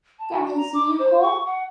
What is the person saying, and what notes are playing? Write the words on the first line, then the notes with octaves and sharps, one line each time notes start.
Can I see you home?
A5
F#4
A#5
D6
C5
C#6
F#5